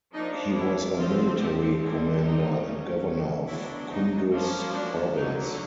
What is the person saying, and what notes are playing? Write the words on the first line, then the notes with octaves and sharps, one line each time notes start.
He was a military commander and governor of Kunduz province.
F3 A#3 D4 D#4
E4
D3 F3 A3 C4 F4
G4
D3 G3 C4 G#4
D#4
F#3 A3 C#4
F#3 B3 D4 E4
D#4
F3 A#3 C#4
D4
D3 F#3 A#3 D#4